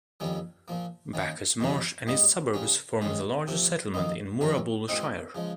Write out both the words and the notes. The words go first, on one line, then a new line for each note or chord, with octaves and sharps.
Bacchus Marsh and its suburbs form the largest settlement in Moorabool Shire.
F2 D#3 G3 A#3 C#4
A#2 F3 A#3
D#3 A#3 C#4
F2 D#3 G3 C#4
G#2 G3 A#3 D#4
C#3 G3 C#4
G#2 D#3 G#3 C#4
C3 F3 A#3
F2 D#3 A#3 D#4
F2 C3 D#3 G3 C#4
A#2 G#3 C4 D#4
C#3 F3 G#3